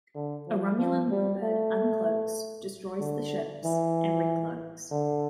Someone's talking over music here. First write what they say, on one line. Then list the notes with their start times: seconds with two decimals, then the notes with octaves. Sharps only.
A Romulan Warbird uncloaks, destroys the ships, and recloaks.
0.15 D3
0.47 F3
0.78 F3
1.11 G3
1.42 A3
3.00 D3
3.64 E3
4.91 D3